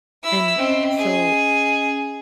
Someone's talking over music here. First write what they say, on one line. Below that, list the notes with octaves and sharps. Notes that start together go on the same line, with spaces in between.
And so,
E4 E6
C4 C#4 D#5
G#4